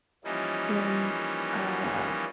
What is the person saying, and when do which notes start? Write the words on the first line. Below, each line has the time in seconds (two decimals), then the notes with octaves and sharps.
and, uh
0.24 E3 F3 G3 A#3 C#4 D#4